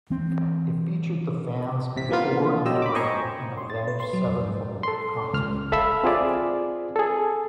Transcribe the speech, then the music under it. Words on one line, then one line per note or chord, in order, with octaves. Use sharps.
It featured the fans before and during an Avenged Sevenfold concert.
E3 C4
A1 C3 B6
C3 E3 F3 A#3 B3 F4
B2 F#3 G4 D#5 E6
B5 D6
C5 D#5 G5 G#5 A#5 C#6
C6
A6
B4
C6
F#3
F2
G#2
A4 C6
C#2 F6
A4 E5 F5 B5 E6
C4 F4 G#4 D5
G#4 A4